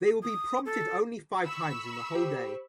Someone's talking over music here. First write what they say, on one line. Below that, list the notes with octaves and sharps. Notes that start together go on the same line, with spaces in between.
They will be prompted only five times in the whole day.
D#6
A4
B5 C#6 E6
G4 C5